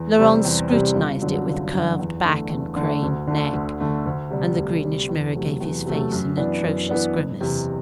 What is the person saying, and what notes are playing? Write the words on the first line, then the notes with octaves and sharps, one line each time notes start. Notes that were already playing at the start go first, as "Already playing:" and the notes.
Laurent scrutinised it with curved back and craned neck, and the greenish mirror gave his face an atrocious grimace.
Already playing: E2
C3 G3 C4
E2
C3 G3 C4
G1
F#2 D3 F#3
G1
F#2 D3 F#3
E2
D3 A3
E2
D3 A3
D2
D3 A3
D2
D3 A3
D2
C3 G3
D2
C3 G3
E2
C3 F#3 A3
E2
C3 F#3 A3
F#2
E3 B3 D4
F#2
E3 B3 D4
F#1
E2 C3